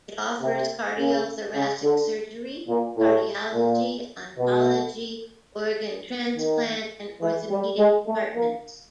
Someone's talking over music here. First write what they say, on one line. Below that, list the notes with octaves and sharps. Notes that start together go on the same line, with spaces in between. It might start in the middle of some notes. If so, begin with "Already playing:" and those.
It offers cardiothoracic surgery, cardiology, oncology, organ transplant, and orthopedic departments.
C3
C#3
C#3
D3
A#2
A2
A#2
B2
D#3
E3
G3
G#3
A3
A#3